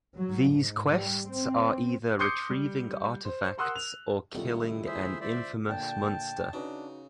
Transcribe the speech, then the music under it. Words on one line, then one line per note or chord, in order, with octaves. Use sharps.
These quests are either retrieving artifacts or killing an infamous monster.
F#3
G#2
G3
C4
C6 D6 D#6 G6 C7 C#7
G3
C5
A#4 F#5 C6 D#6 E6 F#6
F7
C#2 D#3 G3 A3 E4 F#5
G#4 C5 E5
C5 D5 E5
A#2 D3 G5 A5
C#3 D4 D#4 F#4 B4